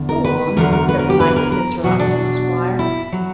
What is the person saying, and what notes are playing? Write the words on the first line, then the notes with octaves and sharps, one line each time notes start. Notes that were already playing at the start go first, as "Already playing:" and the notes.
"Go on!" said the knight to his reluctant squire.
Already playing: E2 D3
A#4
B4
E2 D3 F#3 A#4
A#4
B4
A#4
G4
B4
A#4
A#4
E2 B2 F#3 F#4
D4
E4
F#3